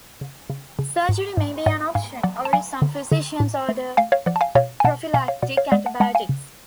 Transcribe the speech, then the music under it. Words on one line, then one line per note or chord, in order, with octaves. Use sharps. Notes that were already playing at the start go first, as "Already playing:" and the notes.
Surgery may be an option, or some physicians order prophylactic antibiotics.
C#3
C#3
C#3
G#2
G#2
G#2 D5 F#5
G#2 F5 G#5
F#3 D5 F#5
A5
F#3 F5 G#5
D3
D3
A2
A3
A3 F5 G#5
C#5 F5
F3 D5 F#5
A5
F5 G#5
B2 C#5 F5
G#5
B2 F#5 A5
B2 F5 G#5
C#5 F5
B2 D5 F#5
C#5 F5
G#3 D5 F#5
F#5 A5
G#3 F#5 A5
F5 G#5
C#3